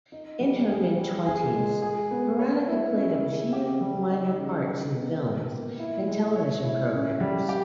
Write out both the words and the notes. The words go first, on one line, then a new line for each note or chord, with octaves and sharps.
In her mid-twenties, Veronica played a few minor parts in films and television programmes.
D#4
G3
G#4
G3
G#4
G#3
G#4
B3
C#5
E4
C#4
C#3
G4
G3
D#4
C#3
G4
B3
A#4
A#3
E4
G#3
C#5
E4
C#4
G3
G4